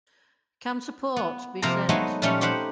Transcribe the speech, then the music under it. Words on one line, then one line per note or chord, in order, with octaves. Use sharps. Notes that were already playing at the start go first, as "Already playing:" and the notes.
Can support be sent?
B3
C3 F3 A#3 A#4 C5 A#5
F#3 G#3 A3 B3 D#4
A#2 F3 G3 A3 C#4
D#4 G4 C5 F#5 B5